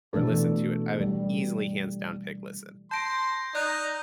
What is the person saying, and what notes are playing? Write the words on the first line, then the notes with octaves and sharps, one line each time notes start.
or listen to it, I would easily hands down pick listen.
B2 E3 A3 D4 A4
G3
A5 C6 G6 A#6 D7
D#4 D5 F#6